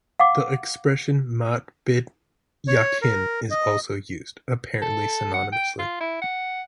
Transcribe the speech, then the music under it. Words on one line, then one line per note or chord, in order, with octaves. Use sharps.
The expression "mat Bit Yakin" is also used, apparently synonymously.
F5 F#5 D6
C#5
A#4
D#5
A4
F#5
G5
F4
E4
F#5